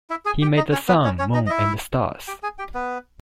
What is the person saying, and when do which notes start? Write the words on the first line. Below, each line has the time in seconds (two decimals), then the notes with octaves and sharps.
He made the sun, moon, and the stars.
0.10 E4 E5
0.25 G#4 G#5
0.42 G4 G5
0.57 D#4 D#5
0.72 C#4 C#5
0.88 B3 B4
1.04 C#4 C#5
1.19 C#4 C#5
1.34 D#4 D#5
1.46 D#5
1.50 E4 E5
2.28 G4 G5
2.43 G#4 G#5
2.59 G4 G5
2.74 B3 B4